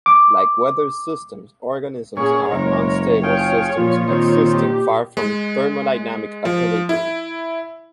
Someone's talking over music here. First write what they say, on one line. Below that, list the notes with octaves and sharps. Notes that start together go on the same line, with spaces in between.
Like weather systems, organisms are unstable systems existing far from thermodynamic equilibrium.
D6
A#2 C#4 G#4 C#5
F#1 G#3 A#4 C#5
F4 G#4 G5
A#2 F3 F4
D#3 C4
G4
G#3
F3
E4